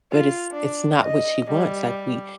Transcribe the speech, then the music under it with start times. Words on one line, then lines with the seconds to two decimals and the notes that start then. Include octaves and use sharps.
but it's it's not what she wants, like, we
0.12 F4
0.52 D4
1.02 D#5
1.51 G3